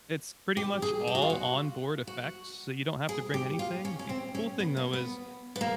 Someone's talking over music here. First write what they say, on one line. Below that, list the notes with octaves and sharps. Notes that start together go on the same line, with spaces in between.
it's pretty much all onboard effects, so you don't have to bring anything. The cool thing, though, is
G4
G#4
G4
F#4
F4
F#4
F#4
G#4
G4
F4
C#4
C#4
C4
C#4
B3
A#3
B3
B3
A#3